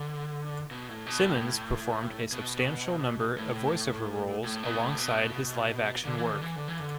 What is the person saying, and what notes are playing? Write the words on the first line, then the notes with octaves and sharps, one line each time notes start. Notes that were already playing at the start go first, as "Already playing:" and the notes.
Simmons performed a substantial number of voice-over roles alongside his live action work.
Already playing: D3
B2
A2
B2
A2
B2
A2
A2
B2
A2
B2
D3
E3
D3
E3
D3
E3
D3